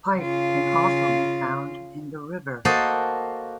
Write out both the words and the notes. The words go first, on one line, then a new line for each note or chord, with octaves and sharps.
Pike can also be found in the river.
C#3 F4
A#3 F#4 A4 C5 D#5 A5